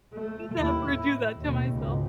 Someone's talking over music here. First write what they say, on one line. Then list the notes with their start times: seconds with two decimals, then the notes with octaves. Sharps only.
Never do that to myself.
0.13 A3
0.56 D#2 E4
0.90 A2
1.39 D#2 B2
1.74 G#1 C#2